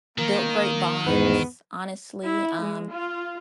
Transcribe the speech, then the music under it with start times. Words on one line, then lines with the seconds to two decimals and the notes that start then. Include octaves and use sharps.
built great bonds, honestly, um,
0.18 D#3 A#3
1.06 E2 G#2 B3
2.25 E4
2.62 G#3
2.92 F4